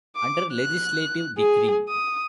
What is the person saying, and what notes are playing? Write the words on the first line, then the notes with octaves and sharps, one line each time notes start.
Under legislative decree.
D6
F#6
G#4
D#6